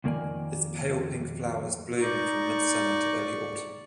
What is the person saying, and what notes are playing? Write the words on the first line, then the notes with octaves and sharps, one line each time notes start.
Its pale pink flowers bloom from mid summer to early autumn.
F2 D#3 A#3 A#4 D5 G#5
D#4 D5 C#6